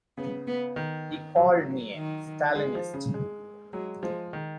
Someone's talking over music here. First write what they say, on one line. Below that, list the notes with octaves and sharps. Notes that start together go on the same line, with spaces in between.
He called me a Stalinist.
C#3 B3
B3
D#3
F#3
D#3
G#3
F3
C#3
G#3
F#3 G#3
F3 G#3
D#3